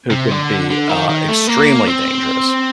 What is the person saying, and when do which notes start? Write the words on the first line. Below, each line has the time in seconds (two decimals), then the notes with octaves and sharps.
who can be, uh, extremely dangerous,
0.11 C3
0.31 D3
0.70 D3
0.89 D#3
1.09 D#3
1.29 A3
1.48 A#3
1.88 C4